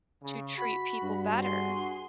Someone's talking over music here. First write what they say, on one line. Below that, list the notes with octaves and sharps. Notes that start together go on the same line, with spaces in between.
to treat people better,
C#3
F#4 B5
G2
G#4 C6